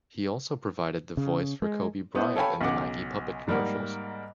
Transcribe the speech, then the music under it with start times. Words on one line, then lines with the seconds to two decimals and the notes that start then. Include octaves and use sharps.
He also provided the voice for Kobe Bryant in the Nike puppet commercials.
1.17 C#3
1.62 G#3
2.15 B3 E4 C5
2.36 A4 C#5 F5 G5 G#5 B5
2.61 B1 C#3 F#5 D6
3.47 G#2 G3 A#3 A#4 F#5